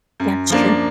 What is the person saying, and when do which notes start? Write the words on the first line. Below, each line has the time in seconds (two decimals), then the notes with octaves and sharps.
Yeah, it's true.
0.20 F#2
0.50 F3 A#3 D4